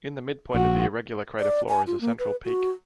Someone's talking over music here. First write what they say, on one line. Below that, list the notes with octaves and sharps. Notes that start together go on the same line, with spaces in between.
In the midpoint of the irregular crater floor is a central peak.
A#1 F#4
D5
G#5
F4
A#3
B4
F#4